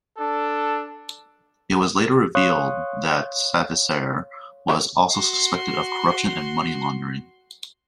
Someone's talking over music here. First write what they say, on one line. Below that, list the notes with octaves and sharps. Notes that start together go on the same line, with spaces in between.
It was later revealed that Savisaar was also suspected of corruption and money laundering.
D4 A4
C#5 F5 C6 C#6 D#6 F#6
F#4 C6